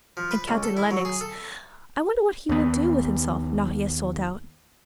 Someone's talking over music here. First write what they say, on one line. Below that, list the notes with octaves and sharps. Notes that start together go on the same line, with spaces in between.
And Captain Lennox--I wonder what he will do with himself now he has sold out!'
F3
B4
C#2
A4
E4
F#3
G#4
A4
D#2 B3